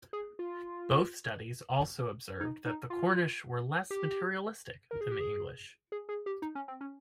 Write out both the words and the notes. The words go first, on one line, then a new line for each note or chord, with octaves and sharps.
Both studies also observed that the Cornish were less materialistic than the English.
G#4
F4
D#4
D#4
F4
G4
A#4
G#4
G4
G#4
G#4
G#4
G4
D#4
C#4
C4
C#4